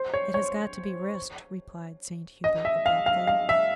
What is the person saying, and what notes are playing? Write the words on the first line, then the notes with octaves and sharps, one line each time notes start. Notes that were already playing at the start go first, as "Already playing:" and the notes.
"It has got to be risked," replied Saint Hubert abruptly.
Already playing: C5
C#5
C#5
D#5
E5
F5
F5
F5
E5